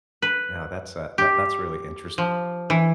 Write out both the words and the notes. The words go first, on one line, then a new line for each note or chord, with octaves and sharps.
yeah, that's uh, that that's really interesting.
B4
G4
F3
E3